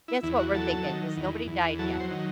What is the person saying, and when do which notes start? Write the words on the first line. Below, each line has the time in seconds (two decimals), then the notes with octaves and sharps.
That's what we're thinking 'cause nobody died yet.
0.08 E4
0.23 E2 E4
0.39 F#4
0.54 F#3 A4
0.85 D#3
1.16 E2
1.48 E2
1.79 F#3 A4
2.00 C5
2.11 D#3